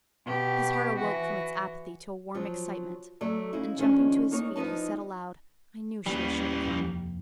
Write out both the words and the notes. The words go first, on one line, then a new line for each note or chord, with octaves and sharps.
His heart awoke from its apathy to a warm excitement, and, jumping to his feet, he said aloud, "I knew she was sure to come."
B2 G4
E3 F#4
F3 F#3
F#3 A3 A4 D5
C#3 D#4 E4
D#3 F3 G#3 A#3 C#4 D4
E2 A#3 D#4 C#5
E2 F3 B3 D#4 A5
D#2 E3 G3 A#3 C#4
F1 F3